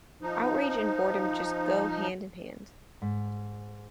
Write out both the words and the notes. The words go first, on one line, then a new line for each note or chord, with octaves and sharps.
Outrage and boredom just go hand in hand.
F3 D#4
G#2